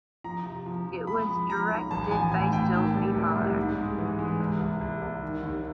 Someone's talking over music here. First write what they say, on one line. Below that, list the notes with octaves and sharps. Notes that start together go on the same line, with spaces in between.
It was directed by Sophie Muller.
F3 A#5
C3
F3
F3
G#3 B5
F3
F3 A#5
B1
A1 A5
F3 G#5
A2 G#5
A2 G5
D#3 A5
G3
C2
G3
G#2
G#3
E3
G#3
C2
C2
C2
C2
D#3
D#2